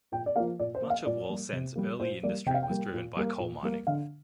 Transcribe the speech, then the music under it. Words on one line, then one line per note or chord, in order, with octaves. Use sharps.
Much of Wallsend's early industry was driven by coal mining.
A#2 G5
D5
F3 A#3 F5
A#2 D5
C5
A#3
F5
A#2 D5
G3 A#3
C3
G3 A#3
A#2 C5
G3 A#3 D5
C3 G5
F5
G5
G3 A#3
A#2
G3 A#3
A#2
G3 A#3
D3 F5